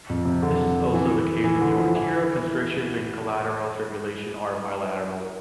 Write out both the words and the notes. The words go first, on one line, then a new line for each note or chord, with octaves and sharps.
This is also the case when the arterial constriction and collateral circulation are bilateral.
F2
C3
D3
E3
E3
D3
F3
E3